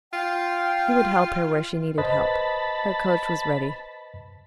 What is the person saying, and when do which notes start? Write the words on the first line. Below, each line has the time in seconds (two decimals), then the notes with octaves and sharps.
He would help her where she needed help; her coach was ready.
0.13 F4 G5
1.98 B4 C5 D#5 A5 B5